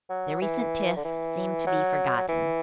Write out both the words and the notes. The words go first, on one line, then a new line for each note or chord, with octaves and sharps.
Their recent tiff seemed to be forgotten.
F#3
E3
D3
E3
F#3
F#3
E3